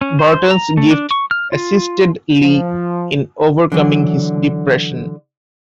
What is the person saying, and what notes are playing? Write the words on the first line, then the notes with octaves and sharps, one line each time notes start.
Burton's gift assisted Lee in overcoming his depression.
C#4
C5
A#5
A3
D4
C#6
F6
F4
F3
D3 E3 F#3